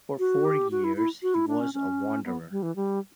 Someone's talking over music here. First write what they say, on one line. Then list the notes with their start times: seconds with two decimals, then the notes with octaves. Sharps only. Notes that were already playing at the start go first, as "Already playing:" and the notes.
For four years, he was a wanderer.
0.19 F#4
0.45 G4
0.71 F#4
0.84 E4
0.97 E4
1.23 F#4
1.34 E4
1.48 D4
1.60 C#4
1.74 C#4
2.25 B3
2.51 G3
2.63 E3
2.76 G3